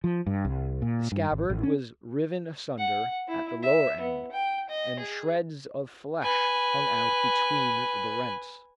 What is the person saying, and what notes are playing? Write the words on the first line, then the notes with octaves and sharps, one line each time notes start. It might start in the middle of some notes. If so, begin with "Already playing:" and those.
The scabbard was riven asunder at the lower end, and shreds of flesh hung out between the rents.
F3
G2
C2
A#2
G2
G#1
A1
C#4
F#5
E4
E5
B3
G5
D#5
G#4
B4 G#5